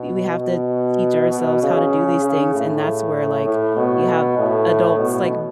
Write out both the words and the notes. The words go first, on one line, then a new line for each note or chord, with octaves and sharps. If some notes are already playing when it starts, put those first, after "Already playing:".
we have to teach ourselves how to do these things, and that's where, like, you have adults like
Already playing: B2
B2
B2
C#3
C#3
A2
A2
B2
A2
B2